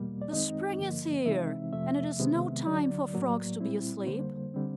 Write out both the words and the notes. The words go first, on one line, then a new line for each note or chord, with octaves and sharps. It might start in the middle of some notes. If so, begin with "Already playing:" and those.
"The spring is here, and it is no time for Frogs to be asleep."
Already playing: E2 B2 G3 A#3
D5
F#2 D#3 G#3 C4 D#4 D#5
G2 D3 F3 A#3
C3 E3 G#3 C4 D#4 E5
F2 C3 F3 A3 E5
C2 C3 D#3 G#3 B3
D2 D3 F#3 D5
A2 F#3 A#3
A#2 G3 C4 E4
F2 D3 G3 A#3 C5
D3 G3 C4